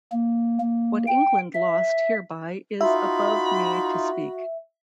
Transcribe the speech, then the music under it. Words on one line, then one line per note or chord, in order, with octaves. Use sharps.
What England lost hereby is above me to speak.
A#3
A#3
G5
E5
D#4 F4 F#4 E5 B5